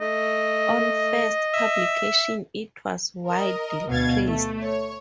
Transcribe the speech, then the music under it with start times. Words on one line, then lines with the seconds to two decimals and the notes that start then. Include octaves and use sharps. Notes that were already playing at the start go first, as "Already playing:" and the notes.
On first publication it was widely praised.
0.01 A3 D#5
1.54 E5
3.28 A#4 D#5
3.89 D2 B2 F5 G#6 A6
4.26 A3
4.61 C#5